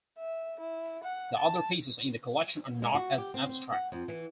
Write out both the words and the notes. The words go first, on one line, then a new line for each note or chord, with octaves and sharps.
The other pieces in the collection are not as abstract.
E5
E4
F#5
A5
G#3
F#4
G4
C4
C4
F#5
F2
E3